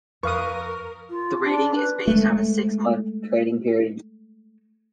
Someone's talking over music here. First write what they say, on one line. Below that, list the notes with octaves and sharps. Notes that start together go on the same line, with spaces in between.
The rating is based on a six-month trading period.
F2 A#4 B4 F5 C#6 D#6
F4
D4
B4
G#3 A3